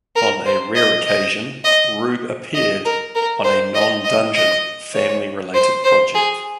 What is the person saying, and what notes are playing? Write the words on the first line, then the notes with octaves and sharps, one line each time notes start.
On a rare occasion, Rube appeared on a non-Dungeon Family related project.
A#4
C5
D#5
D#5
D#5
D#5
A#4
A#4
C5
D#5
D#5
D#5
C#5
C5
C5
G#4